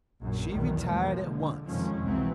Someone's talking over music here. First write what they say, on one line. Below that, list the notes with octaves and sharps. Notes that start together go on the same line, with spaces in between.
She retired at once.
A#1 F#2
B1 E2 B2 D#3
F3 G#3 A#3
D3
F2 C3 D#3 F3 G#3 C#4
C2 B2 E3 F#3 G#3 C4